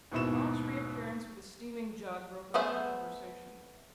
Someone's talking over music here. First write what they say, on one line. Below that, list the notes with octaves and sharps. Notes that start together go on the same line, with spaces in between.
Bob's reappearance with a steaming jug broke off the conversation.
D#2 G#2 B2 E4 C#6 E7
A3 B3 G#4 C5 E5